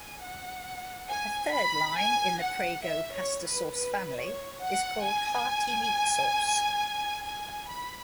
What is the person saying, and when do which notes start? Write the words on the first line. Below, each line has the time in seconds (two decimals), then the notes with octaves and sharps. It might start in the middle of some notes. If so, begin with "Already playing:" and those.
A third line in the Prego Pasta Sauce family is called Hearty Meat sauce.
Already playing: G#5
0.22 F#5
1.09 G#5
1.54 B5
1.98 G#5
2.42 F#5
2.85 E5
3.14 C#5
3.44 B4
3.74 B4
4.18 C#5
4.61 F#5
5.05 G#5
7.24 G#5
7.68 B5